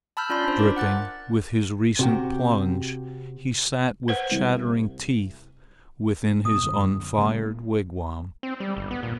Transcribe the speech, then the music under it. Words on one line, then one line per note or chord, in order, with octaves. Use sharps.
Dripping with his recent plunge he sat with chattering teeth within his unfired wigwam.
A5 B5 E6 F6 G6
C#4 F4 D5 B5 C6
D4 F4 C5
A#4 D6
F#5 F#6 A6
C3 F#4 G4
B4 C5 F#5
C2
B2 D#6
F#2 D3
C#3 G#3 A#3
C4
G3
G1
B3
A#2